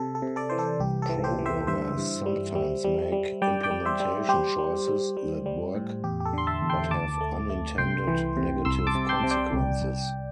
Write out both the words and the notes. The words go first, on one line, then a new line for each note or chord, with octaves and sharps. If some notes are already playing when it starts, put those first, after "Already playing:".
Programmers sometimes make implementation choices that work but have unintended negative consequences.
Already playing: C3 A4
A4
C3
A4 D5
E3 C5
A4
C2 G4
A4
E3
G4 C5
E3
C5 E5
G2 C5 E5
G2
G3
G3
G3
G3
G3 D5 G5
D5 G5
G3
C5 E5
G3
G3 G4 C5
G3
G3
G3
G3
A2
E2 G4
G4
A4
D3 C6
E5 A5
E2
G5 C6
D2 A5 D6
A3
A3
C2 G5 C6
E3
C3
C2 C6 E6
A5 D6
C3
G5 C6
C3
D5 G5
C2
C2